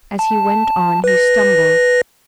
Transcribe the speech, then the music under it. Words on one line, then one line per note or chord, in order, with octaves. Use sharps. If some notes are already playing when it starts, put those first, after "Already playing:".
As he went on he stumbled.
A5
B4 A#6